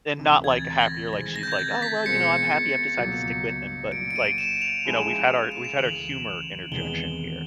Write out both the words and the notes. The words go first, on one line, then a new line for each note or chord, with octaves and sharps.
and not like a happier like she's like, "Oh well, you know, I'm happy I've decided to stick with him." But like, you know, we've had our we've had our humor interjection here,
D2 C3 E3
G#6
A6
A#6
C3 D#3 G#3 C4 E4 A#6
A#6
G6
G#6
A6
B6
B2 G#3 C4 F4 A#4 C#7
C#2 B2 F#3 A#3
A#2 F#3 A#3 D7
D7
D#7
E7
F7
F3 G#3 C#4 E4 G#4
E7
F7
D2 C#3 E3 F#7
E2 C3 D#3 G#3 B3 G7